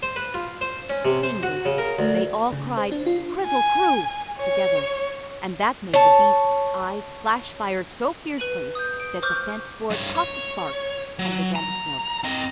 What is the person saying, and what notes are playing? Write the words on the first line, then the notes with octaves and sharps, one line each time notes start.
Seeing this, they all cried "Krizzle-Kroo!" together, and that made the beast's eyes flash fire so fiercely that the fence-board caught the sparks and began to smoke.
C5
B4
F4
C5
C#4
C3
C5
F#4
C#3
A#4
D2
C#3
C5
D4
F4
G#5
C#5
C#5 A5
B4 D#7 F#7
D#6 G6
D7
C5 C#6 D6 F6 G6
G2 C#5
C#5
F#3
A#5
C4 D#5